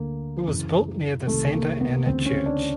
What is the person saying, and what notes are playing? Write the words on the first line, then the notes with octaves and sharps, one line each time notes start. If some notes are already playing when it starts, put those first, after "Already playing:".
It was built near the Santa Ana Church.
Already playing: D2 D3 A#3
F#2 C#3 E3
C2 C3 D#3 A3
A#3
B3
D2 C#3 E3 C4
C#4
D4